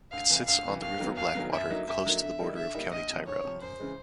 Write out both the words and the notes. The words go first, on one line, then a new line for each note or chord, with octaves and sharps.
It sits on the River Blackwater, close to the border with County Tyrone.
D2 F5
C3 E3
D2 F5
C3 E3
D#2 F5
D#3 F#3 B3
D#2 F5
D#3 F#3 B3
F#2 E5
D3 F#3 A#3 D#4
F#2 E5
D3 F#3 A#3 D#4
D3 E5
G3 A#3 D#4
D3 E5
G3 A#3 D#4
D2 D#5
C3 F3
D2 C#5
C3 F3
F#2 C5
C#3 E3 G#3